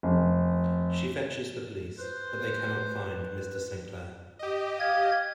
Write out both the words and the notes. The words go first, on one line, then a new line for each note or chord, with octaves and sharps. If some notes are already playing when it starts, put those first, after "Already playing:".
She fetches the police, but they cannot find Mr. Saint Clair.
F1
B4 C5
G4 D#5
F5 G#6